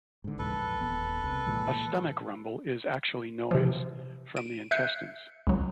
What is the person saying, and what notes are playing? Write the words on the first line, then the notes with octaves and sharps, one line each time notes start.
A stomach rumble is actually noise from the intestines.
G#2 D3
A#1 E2 G#2 A4 B4
D#1 B3
C2
A#2 E3 G#3
C3 E3 F3
D7 D#7
E5 F#6 G6 C7 C#7
C#2 F#3